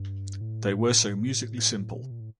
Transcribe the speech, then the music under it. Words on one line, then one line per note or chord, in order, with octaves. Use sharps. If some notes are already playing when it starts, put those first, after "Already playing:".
They were so musically simple.
Already playing: G2
A2
A#2
C3
A#2
A2